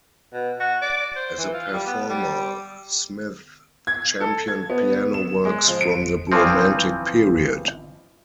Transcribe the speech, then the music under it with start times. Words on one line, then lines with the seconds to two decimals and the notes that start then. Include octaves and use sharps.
As a performer, Smith championed piano works from the romantic period.
0.33 B2
0.60 F#4
0.82 D5
1.16 C5
1.38 E3
1.54 F4
1.73 G3
1.86 B3
2.09 G3
3.87 G#6
4.20 A4
4.48 G#6
4.70 B3
5.14 E7
5.45 G#3
5.68 F3
5.81 D7
6.32 G2 E3 F3 C4